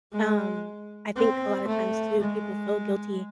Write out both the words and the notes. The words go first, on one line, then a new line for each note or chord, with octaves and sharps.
Um, I think a lotta times too, people feel guilty
G#3
C4
A3
G#3